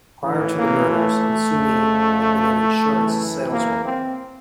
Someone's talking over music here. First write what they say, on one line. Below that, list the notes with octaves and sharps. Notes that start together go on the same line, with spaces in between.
Prior to the murders, Masumi had been an insurance saleswoman.
A2 E3
A#3
A3
F2 C#3 F3
F#2 C#3 E3
A#3
C4